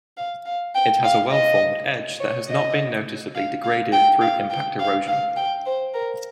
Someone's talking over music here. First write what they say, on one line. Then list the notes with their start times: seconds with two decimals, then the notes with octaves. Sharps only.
It has a well-formed edge that has not been noticeably degraded through impact erosion.
0.17 F5
0.46 F5
0.75 G5
1.04 F5
1.32 D#5
2.20 C#5
2.48 D#5
3.35 F5
3.64 F5
3.92 G5
4.21 F5
4.50 G5
4.79 F5
5.07 F5
5.36 G5
5.66 C5
5.94 A#4